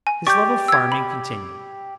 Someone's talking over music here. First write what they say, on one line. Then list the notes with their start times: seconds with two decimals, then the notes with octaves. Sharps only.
His love of farming continued.
0.07 G#5
0.27 G4 D5 C#6 D6 G6
0.68 E6 G#6
0.92 B5